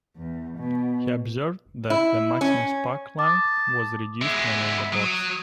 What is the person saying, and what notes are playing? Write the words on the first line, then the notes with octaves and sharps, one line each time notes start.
He observed that the maximum spark length was reduced when in the box.
E2
B2
E4
C#4
A5 D6 D#6
G#3 B3 E5
F#3 D#6